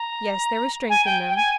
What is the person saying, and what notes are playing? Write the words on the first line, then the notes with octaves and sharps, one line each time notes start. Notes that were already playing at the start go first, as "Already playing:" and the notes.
Yes, there was strength in them.
Already playing: A#5
G#5
G5
G5
G#5